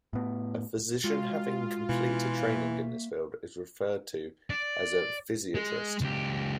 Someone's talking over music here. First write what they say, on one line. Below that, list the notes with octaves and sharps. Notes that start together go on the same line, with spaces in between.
A physician having completed training in this field is referred to as a physiatrist.
A2 B3
G#3 F4 F#4
B2 E3
A#3 E5
D5
G#3
C#2 G4